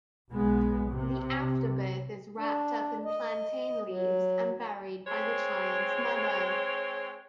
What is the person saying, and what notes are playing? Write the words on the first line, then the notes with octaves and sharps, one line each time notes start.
The afterbirth is wrapped up in plantain leaves and buried by the child's mother.
B1 G#3 B3
C3
D4
D#5
F#3
G#3 C4 C#5